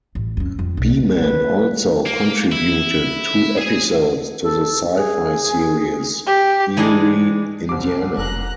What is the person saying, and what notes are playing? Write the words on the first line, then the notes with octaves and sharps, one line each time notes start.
Beeman also contributed two episodes to the sci-fi series "Eerie, Indiana".
A1
F2 C#4
F2
B1
B4
A#3
E4
G#4 G#5
A4
G#4
G4
E3 G#3 D4 D#4 G#4
F#1 C2 C4 D6 C7
F1 A#5 F#6